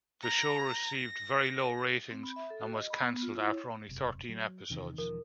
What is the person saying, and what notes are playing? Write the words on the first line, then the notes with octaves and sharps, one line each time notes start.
The show received very low ratings and was canceled after only thirteen episodes.
A#5
A#6
C4
B5
E5
A4
F#4
D#5
B5
B3
F4
E4
C#5
E1 F#2 C3
F#3
E2 C3 D#3
E1 F3 A#4